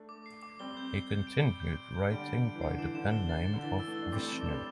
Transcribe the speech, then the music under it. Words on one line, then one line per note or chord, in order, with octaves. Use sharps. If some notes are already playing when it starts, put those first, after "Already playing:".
He continued writing by the pen name of 'Vishnu'.
Already playing: A3 D4
D6
C7
D6
G3 C4 G7
G6
G6
G6
D7
D7
G6
G6
G6
D3 G3 D7
D7
D7
E3
D3 C7
E3 E7
D3 E7
G7
A6
A6
D3
E3 G7
E6
E3 A3
E6
D4
G3 C4 D6
E3 A3 E7
D4
G3 C4 D6